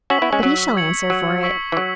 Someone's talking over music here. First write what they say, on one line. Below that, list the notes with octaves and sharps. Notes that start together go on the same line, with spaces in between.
'But he shall answer for it.
C#4 F#4 C#6 E6 B6 F#7
B3 E4
G#3 C#4
F#3
G#6 C#7 F#7
F#3
C#6 E6 B6 F#7
E3
F#3